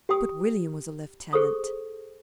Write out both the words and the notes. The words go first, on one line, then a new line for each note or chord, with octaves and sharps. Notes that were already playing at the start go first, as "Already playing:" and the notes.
But William was a lieutenant.
G4 G5 D#6
G#4 A4 C5 C#6 D#6